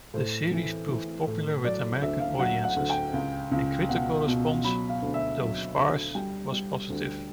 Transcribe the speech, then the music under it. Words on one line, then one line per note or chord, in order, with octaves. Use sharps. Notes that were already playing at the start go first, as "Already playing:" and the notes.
The series proved popular with American audiences and critical response, though sparse, was positive.
A2 C5
E3
E3
A2
F#3 D5
D2 E5
F5
F#3 F#5
F#5
D2
G5
C#2
C#2
B2 F#5
B2
F#3 B5
F5
D2
E5
F#3
D2
G3 G5
G3
D2